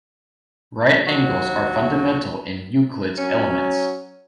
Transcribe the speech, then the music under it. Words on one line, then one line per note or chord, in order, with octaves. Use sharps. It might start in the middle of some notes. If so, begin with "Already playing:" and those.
Right angles are fundamental in Euclid's Elements.
D#2 F#3 F#4
F#3 C#4